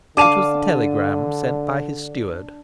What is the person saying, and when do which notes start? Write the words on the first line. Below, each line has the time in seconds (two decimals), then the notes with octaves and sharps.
It was the telegram sent by his steward.
0.17 D3 D4 F5 A5 D6 D#7